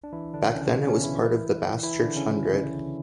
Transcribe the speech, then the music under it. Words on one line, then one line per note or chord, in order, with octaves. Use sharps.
Back then it was part of the Baschurch Hundred.
D4
E3 E4
D3 D4
C#3 C#4
B2 B3
C#3 C#4
E3 E4
E3 E4
D3 D4
C#3 C#4